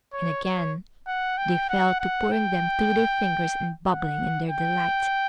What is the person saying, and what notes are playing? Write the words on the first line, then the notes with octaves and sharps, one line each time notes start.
And again they fell to pouring them through their fingers and babbling in their delight.
C#5
C#5
F#5
G5
F#5
F#5
G5
F#5
G5